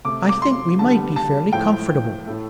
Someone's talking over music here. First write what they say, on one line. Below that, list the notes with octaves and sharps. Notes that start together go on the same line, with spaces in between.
I think we might be fairly comfortable.'
C3 A3 D6
D6
C6
D3 G3 A5
A5
A2 F3 A3 G5
A2 A3